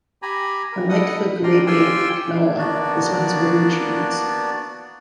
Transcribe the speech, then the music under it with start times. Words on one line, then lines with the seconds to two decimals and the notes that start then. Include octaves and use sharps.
Unlike the Gumebri of Gnawa, this one has wooden tuners.
0.22 G4 G#5 A#5 B5
0.72 A#4
0.89 A4 B4 D#5 F#5 D#6
1.18 B5
1.43 D4 D5 G5 A#5 C6 F6
1.67 F4 G4 G5 G#5 C6 E6
2.58 A#3 B3 D4 F#4 D5